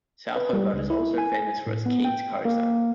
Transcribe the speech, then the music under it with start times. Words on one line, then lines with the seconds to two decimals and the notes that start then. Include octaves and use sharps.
South Hobart is also famous for its Keen's Curry sign.
0.36 B4
0.53 G3
0.73 C#2
0.90 E4
1.18 G#5
1.67 A2
1.86 B3
2.05 G5
2.45 A#3